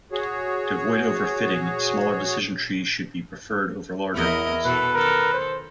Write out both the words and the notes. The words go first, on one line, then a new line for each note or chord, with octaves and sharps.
To avoid overfitting, smaller decision trees should be preferred over larger ones.
F#4 G#4 C#5
E2 E4 A#4 D#5
B2 E3 A4 B4
D#3 A4 A#4
C5